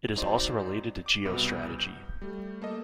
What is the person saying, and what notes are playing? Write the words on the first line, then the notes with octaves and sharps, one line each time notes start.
It is also related to geostrategy.
F2 F#3 D#4 C5 D5
D6
C2 B2 B4
G6
G3 A3
A#3 A4 D#5